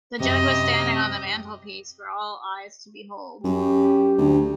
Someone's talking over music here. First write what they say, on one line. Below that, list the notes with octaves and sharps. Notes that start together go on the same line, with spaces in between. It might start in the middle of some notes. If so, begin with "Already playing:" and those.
The jug was standing on the mantelpiece, for all eyes to behold.
F#2 C3 G4 D#5
F#2 G4
D2